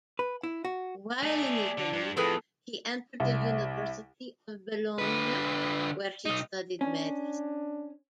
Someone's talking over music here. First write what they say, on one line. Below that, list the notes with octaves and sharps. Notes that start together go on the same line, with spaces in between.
While in Italy he entered the University of Bologna, where he studied medicine.
B4
E4
F#4
A3 G#4 D5
D3
G2
F2 A2 G#4 A4 B4
C2
D3 B4
B1 D#4
C#4 D4